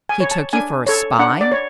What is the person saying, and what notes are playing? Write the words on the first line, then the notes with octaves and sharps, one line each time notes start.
"He took you for a spy?"
G#5
C#5
A5
D4 G#5
A4 C#5
D4 F#5
D5
C#5